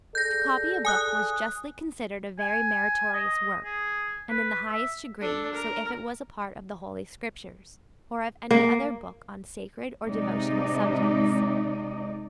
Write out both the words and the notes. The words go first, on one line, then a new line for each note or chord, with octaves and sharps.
To copy a book was justly considered a very meritorious work, and in the highest degree so if it was a part of the Holy Scriptures, or of any other book on sacred or devotional subjects.
G#4 A4 D5 G6 A#6
G#5 D#6 F#6
G#5
D#5
G#4
B4
E5
D4 A4
A#4
A#3
C3 G#3 D#4 D5 D#5